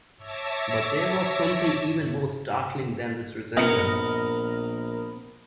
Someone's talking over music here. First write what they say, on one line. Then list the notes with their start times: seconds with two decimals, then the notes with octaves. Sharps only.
But there was something even more startling than this resemblance.
0.17 C#5 E5 A5 D6 E6 A#6
3.57 A#1 B3 A#4 D#5 C#7